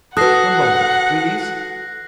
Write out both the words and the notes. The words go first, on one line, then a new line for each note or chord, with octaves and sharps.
One moment, if you please!'
F#4 A4 B4 F#5 D#6 F#6 A#6 C7